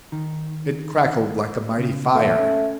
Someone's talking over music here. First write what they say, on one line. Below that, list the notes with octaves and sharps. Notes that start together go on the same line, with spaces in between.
It crackled like a mighty fire.
D#3
C#3
A#2 D#3 A3
C#4